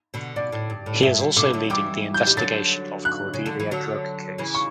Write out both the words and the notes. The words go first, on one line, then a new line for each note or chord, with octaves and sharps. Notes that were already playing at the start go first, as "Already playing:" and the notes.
He is also leading the investigation of Cordelia drug case.
B2 D3
B2 D5
A2
G2
A2
G2 E5
B2
B2 D3 D6
D3 F#3
E3 G3 D6
G6
G3
D3 F#3 A6
F#6
C#3
D3
E3
D3 F#3
C#3 E3
C#6